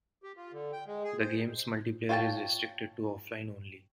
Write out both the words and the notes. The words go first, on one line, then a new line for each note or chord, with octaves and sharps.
The game's multiplayer is restricted to offline only.
G4
F4
D3
G5
G#3
G#4
C5
F4 C#5 F#5 G5 A5